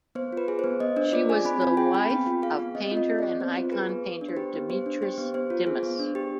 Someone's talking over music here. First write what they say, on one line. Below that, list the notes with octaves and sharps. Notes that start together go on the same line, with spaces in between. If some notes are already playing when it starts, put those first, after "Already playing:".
She was the wife of painter and icon painter Dimitris Dimas.
B3 C5
F4 B4
G#4
B3 C5
B3 D#5
D4 C5
F4 D5
G#4 G#5
C4 B5
F4 G#5
G#4 G5
C4 B5
B3 G5
F4
G#4 F5
B3
C4 D#5
F4
D#5
G#4
C4 D5
B3 C5
F4
G#4 B4
B3
B3
D4
C5
G4 B4
B3
B3 C5
D4
G4 C5
B3
B3 C5
F4
G#4
B3
D4
G4